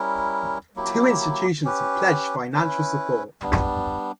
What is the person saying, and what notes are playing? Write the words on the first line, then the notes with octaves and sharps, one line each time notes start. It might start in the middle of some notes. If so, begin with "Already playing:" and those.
Two institutions have pledged financial support.
Already playing: G3 C#4 E4 A#4
F#3 A#3 E4 G4
C#4 G4 B4
C#4 E4 B4
G3 B3 D4